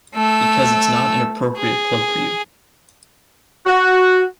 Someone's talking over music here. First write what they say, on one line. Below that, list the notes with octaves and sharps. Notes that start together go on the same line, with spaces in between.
Because it's is not an appropriate club for you.
A3 E6
G#4
F#4